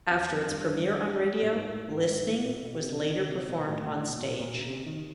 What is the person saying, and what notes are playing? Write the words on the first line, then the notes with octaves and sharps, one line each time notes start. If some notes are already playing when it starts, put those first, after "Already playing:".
After its premiere on radio, "Listening" was later performed on stage.
E2
F2
G2
A2
G#2
A2
G#2
G#2
A2
A#2
B2
C3
D3
C3
B2
A2
A2
B2
A#2
A#2
C#3
C3
D#3